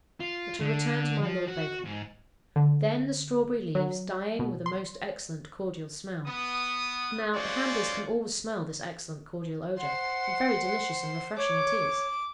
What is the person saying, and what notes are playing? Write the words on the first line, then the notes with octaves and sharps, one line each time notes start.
But to return to my Lord Bacon: 'Then the strawberry leaves, dying with a most excellent cordial smell.' Now the Hanburys can always smell this excellent cordial odour, and very delicious and refreshing it is.
F4
D3
F3
F#4
G#2
D3
F#3
B2
C6
B3 D#6
G#3 C#4 F4 F#4 C5 D5
C5 F#5 C6
C#5 D6